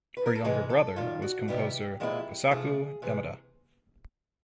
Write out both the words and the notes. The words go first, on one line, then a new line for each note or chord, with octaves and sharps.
Her younger brother was composer Kosaku Yamada.
B4
A#4
A4
C3 E3 G#3 G#4
A4
F#2 D#3 G3 F4
F#4
C3 D#3 G3 B3 E4 G4
A#2 F3 G#3 C4 E4
C3 F3 A3 G#4
C3 E3 G#4